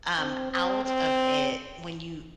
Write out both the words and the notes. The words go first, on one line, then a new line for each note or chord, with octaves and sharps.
um, out of it, when you
C4
C4
C4